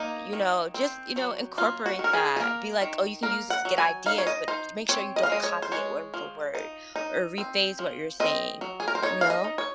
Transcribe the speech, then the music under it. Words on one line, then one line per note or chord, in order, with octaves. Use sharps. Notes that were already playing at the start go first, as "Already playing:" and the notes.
you know just, you know, incorporate that, be like, "Oh, you can use this to get ideas, but j make sure you don't copy it word for word or rephrase what you're saying." You know?
Already playing: A#3 D#4
D#3
C4
F#3
A#3 F4
F#4
D#3
A#4
G#4
G#4
A#3 A#4
D#3
A#3 A#4
F#5
F#3
G#5
D#4 F5
C#5
D#5
D#4 C5
C4 C#5
D#5
F5
G#3 D#5
C#5
C5
G#3 C#5
F3
D#4
D#4
C4
F3
C4 D#5
F#3
G#4
A#4
C5
D#4 C#5
F5
D#5
D#4
C#5